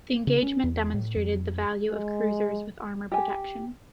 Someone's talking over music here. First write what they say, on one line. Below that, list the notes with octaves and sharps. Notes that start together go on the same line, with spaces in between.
The engagement demonstrated the value of cruisers with armor protection.
C#3
C#4
E2
A2
F2
G#3
G4 G#5